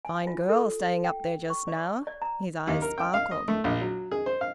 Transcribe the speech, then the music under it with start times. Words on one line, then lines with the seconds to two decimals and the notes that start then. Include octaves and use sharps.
"Fine girl staying up there just now!" His eyes sparkled.
0.05 G#5
0.27 F4
0.49 A4
1.04 G5
1.50 C#6
1.68 D5
2.07 D5
2.22 A#5
2.67 D#2
2.82 A#4
2.98 G5
3.14 F5
3.31 D#5
3.48 A3
3.64 A#1
3.82 F#3
4.11 G#4
4.26 C5
4.41 F5